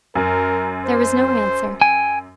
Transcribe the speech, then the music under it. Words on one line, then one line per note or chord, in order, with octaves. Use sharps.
There was no answer.
F#2 A#4
C5
G5 G#5